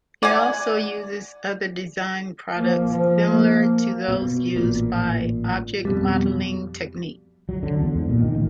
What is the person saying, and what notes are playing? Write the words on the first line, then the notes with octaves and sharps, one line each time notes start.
It also uses other design products similar to those used by Object-modeling technique.
D5 F#5 G#5
F3 A#3
F3
A#3
B2
A1 A#2
F2 B2 G3
F#3
D3
E2
G#2
A#2
D#3
A1